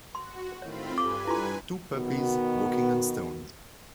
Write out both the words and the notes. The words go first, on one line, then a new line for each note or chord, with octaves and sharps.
Two puppies walking on stones.
F#4 C6
A2 D#3 C4 F4 C#5 B5
G2 G4 A4 B4 G#5 D6
E4 F4 C6
B2 D#3 B3 F#4